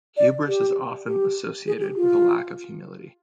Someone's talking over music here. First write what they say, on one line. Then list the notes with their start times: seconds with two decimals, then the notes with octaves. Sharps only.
Hubris is often associated with a lack of humility.
0.17 D5
0.48 G4
1.07 G4
1.67 G#4
1.81 G4
1.96 F4